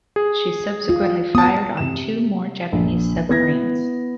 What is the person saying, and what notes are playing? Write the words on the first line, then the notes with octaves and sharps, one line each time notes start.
She subsequently fired on two more Japanese submarines.
G#4
F4
B3 A5 D#6
C3 E7
A#1
B3 E4 G#6 A#6